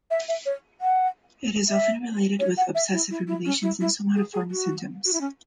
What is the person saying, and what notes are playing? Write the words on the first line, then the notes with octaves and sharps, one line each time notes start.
It is often related with obsessive ruminations and somatoform symptoms.
E5
E5
C#5
F#5
E5
C#5
F#5
E5
E4
E4
E4
C#4
E4
E4
G#4
G#4
F#4
F#4
E4
C#4